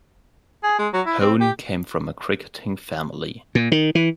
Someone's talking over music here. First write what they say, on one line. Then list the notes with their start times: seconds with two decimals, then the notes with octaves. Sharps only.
Hone came from a cricketing family.
0.63 G#4
0.79 G#3
0.94 F#3
1.06 E4
1.20 C4
1.40 G4
3.55 A#2
3.72 D#3
3.95 E3